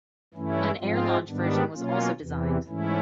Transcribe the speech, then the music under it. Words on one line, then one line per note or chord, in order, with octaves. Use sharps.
An air-launched version was also designed.
G2 E3 A3 C#4 E4
G#2 F3 G#3 C4 F4
G#2 D#3 G3 B3 D4
B2 F#3 A#3 C#4 F4
E2 C3 E3
G#2 E3 A3 C#4 E4